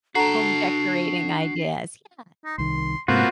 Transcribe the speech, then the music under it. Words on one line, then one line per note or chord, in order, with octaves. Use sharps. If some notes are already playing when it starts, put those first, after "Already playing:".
home decorating ideas Yeah,
D4 F#4 A4 F#5 A5 A#5 C7
D#4
C2 D#3 C6
G#2 C3 A#3 B3 F4 F#4 C5